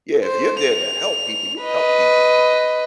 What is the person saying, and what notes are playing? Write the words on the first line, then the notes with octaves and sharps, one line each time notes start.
yeah, if you're there to help people, you help people.
C5
F7
B4 D#5